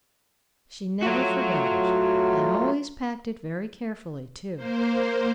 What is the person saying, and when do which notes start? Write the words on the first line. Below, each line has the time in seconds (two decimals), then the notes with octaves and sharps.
She never forgot it, and always packed it very carefully, too.
1.02 F#3 A3 F4 F#4 C#5
4.56 A#3 C5